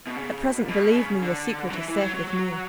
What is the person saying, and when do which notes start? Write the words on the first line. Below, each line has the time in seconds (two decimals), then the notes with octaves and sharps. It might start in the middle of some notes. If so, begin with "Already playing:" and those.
At present, believe me, your secret is safe with me.
0.07 B2
0.16 C#3
0.42 B2
0.60 A#2
0.68 B2
0.95 C#3
1.22 D3
1.70 F#3
1.75 E3
1.88 E3
2.01 F#3
2.14 F#3
2.28 F#3